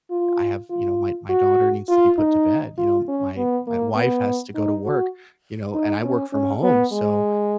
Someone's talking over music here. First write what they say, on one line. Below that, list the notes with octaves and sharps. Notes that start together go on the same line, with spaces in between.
I have, you know, my my daughter needs to be put to bed, you know, my my wife has to go to work, you know, and I work from home, so,
F4
F4
F#4
F4
D#4
F4
C#4
B3
A#3
B3
D#4
F#4
D#4
C#4
C#4
B3
G#3